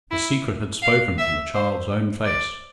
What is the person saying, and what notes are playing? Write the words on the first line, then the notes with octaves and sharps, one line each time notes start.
The secret had spoken from the child's own face.
E4
F5
E5
C5
D5